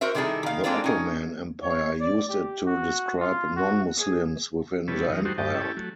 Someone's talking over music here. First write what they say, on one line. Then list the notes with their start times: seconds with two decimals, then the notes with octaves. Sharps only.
The Ottoman Empire used it to describe non-Muslims within the empire.
0.01 F#4 A#4 C5 E5
0.15 C3 D#3 G3 E4 G#4 A4
0.43 D#3 F5
0.64 G#3 A#3 C4 D4 F4 A4
0.84 C#4 D#4
1.62 C#5
2.00 D5
2.29 G4
2.66 F#4
3.20 F4
3.56 F#4
3.99 G#4
4.88 C3 G3 C#4 E4 A4 B4
5.10 F#2 E3 D#4
5.25 F#3 G3 A3 D#4 F#4 C5
5.38 G2 G4 D#5 A5
5.54 C#4 E4 G4 A4
5.77 F#3 A3